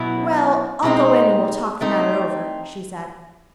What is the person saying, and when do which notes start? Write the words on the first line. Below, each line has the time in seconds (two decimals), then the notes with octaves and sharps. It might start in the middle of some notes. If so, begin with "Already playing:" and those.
"Well, I'll go in and we'll talk the matter over," she said.
Already playing: B2 F#3 B3 E4
0.82 B2 G#3 C4 D#4
1.81 A3 C4 D#4